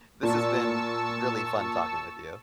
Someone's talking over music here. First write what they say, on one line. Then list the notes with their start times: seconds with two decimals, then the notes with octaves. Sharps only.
this has been really fun talking with you.
0.23 A#2 A5 C#6 E6